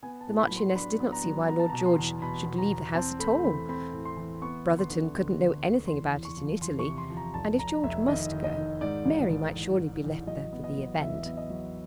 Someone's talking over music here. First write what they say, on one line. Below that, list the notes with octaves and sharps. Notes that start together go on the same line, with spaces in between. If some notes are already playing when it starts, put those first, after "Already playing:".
The Marchioness did not see why Lord George should leave the house at all. Brotherton couldn't know anything about it in Italy, and if George must go, Mary might surely be left there for the event.
B3 G#5
A5
A2
B5
F#3
C6
C6
D4 B5
B3
A#5
F#3
B3 A#5
A5
A#5
B2
C6
E2
B2 B5
B2
A#5
E2
C4 A5
A3 B5
E3 B5
C4 B5
A2
C6
E3
B3 C#6
D2
C6
D3
D2
D2
D2
E2 C6
E2
C#6
F3
E2 C6
C#6
C3
C6
F3
A#5
F1 A5
F1 A#5
F1 E5
D#3 D#5
D#3
D#5
D#3
G#2 D5
A1
A1
A1
A1
A1
F#3 D#5
B3
D#5
F#3
E2 E5
B3
D#5
F#3